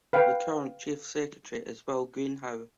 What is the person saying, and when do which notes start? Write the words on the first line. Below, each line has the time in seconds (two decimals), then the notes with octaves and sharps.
The current Chief Secretary is Will Greenhow.
0.13 B4 F5 G5